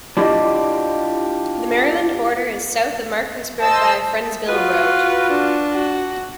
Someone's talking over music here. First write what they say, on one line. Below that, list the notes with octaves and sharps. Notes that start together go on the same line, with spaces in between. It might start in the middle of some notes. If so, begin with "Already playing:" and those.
The Maryland border is south of Markleysburg via Friendsville Road.
D4 E4 F4 G4 D5 D#5
C5 D#5 A5 E6
F4 F#4 B4
D4
F#4